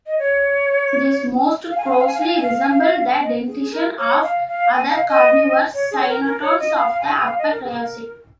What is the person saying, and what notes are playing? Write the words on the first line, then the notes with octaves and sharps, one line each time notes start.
These most closely resemble the dentition of other carnivorous cynodonts of the Upper Triassic.
D#5
C#5
F5
G#5
F5
G#5
F5
G#5
F5
G#5
F5
G#5
F5
G#5
F5
D#5
G#4
G#4
A#4
C#5
F5
F5
G#5
F5
D#5
C#5
G#4
C#5
A#4
A#4
C#5
D#5
F5
F5
G#5
G#5
F5
D#5
A#4
G#4
A#4